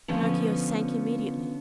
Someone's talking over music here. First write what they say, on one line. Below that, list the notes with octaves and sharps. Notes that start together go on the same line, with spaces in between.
Pinocchio sank immediately.
D3 F3 B3 C#4